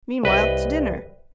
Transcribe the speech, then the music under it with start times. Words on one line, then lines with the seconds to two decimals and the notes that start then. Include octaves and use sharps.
Meanwhile, to dinner!
0.23 C2 B4 D#5